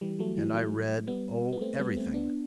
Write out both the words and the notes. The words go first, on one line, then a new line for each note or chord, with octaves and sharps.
And I read, oh, everything.
E3 G3
F#3 A3
E3 G3
F#3 A3
G3 B3
B3
A3 C4
G3 B3
A3 C4
B3 D4